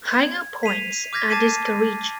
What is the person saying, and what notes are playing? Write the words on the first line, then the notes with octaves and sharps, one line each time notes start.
Higher points are discouraged.
G#6
B6 C7 D#7 F7
D6 F6 G6 G#6 A#6 B6
A5 D6 G#6 A6 C7 D#7